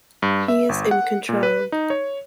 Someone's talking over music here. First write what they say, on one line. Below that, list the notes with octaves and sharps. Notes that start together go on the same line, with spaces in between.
He is in control.
G2
E5
G1
F#5
A#2
B4
D#4
C#5